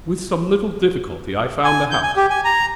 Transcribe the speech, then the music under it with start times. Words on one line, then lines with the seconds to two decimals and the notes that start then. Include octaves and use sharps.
With some little difficulty I found the house.
1.64 G#5
1.91 G6
2.03 G#5
2.16 G4
2.30 G#5
2.45 A#5